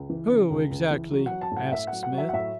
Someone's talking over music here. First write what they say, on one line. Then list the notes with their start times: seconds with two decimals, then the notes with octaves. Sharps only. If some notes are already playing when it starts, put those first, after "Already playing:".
"Who, exactly?" asked Smith.
Already playing: C#2
0.10 E3
0.29 C#3
0.50 C#2
0.71 C#2
0.91 E3
1.11 F#3
1.26 F#5
1.31 F#3
1.41 A5
1.51 A2
1.57 F#5
1.72 A2 E5
1.87 F#5
1.93 F#3
2.03 F#5
2.13 F#3
2.18 E5
2.29 F#5
2.33 A2 E5